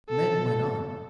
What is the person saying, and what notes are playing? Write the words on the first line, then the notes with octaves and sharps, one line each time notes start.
And then he went on.
A4